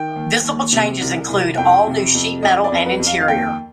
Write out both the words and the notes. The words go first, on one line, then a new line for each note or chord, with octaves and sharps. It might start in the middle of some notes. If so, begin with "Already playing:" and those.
Visible changes include all new sheet metal and interior.
Already playing: D#3 G5
D#2
D#2
C3
C2
C2
F2 G5
C3
F2
F2 D#5
D5
F2
B4
F2
F5
F5
D#2 G5